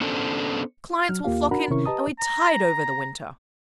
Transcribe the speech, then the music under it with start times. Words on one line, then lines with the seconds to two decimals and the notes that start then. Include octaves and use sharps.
Clients will flock in; and we tide over the winter.
0.01 B3 C#4 D4 A4 C5
1.09 F#3 F6
1.24 D#2 A#3 F4 G4 F5
1.51 D4 F#4 A#4 F#5 A#5 B5
1.70 C3 D#3 C#4 E4 A#4 C#6
1.86 G4 B4 D#5 A5 A#5 D#6
2.20 A#5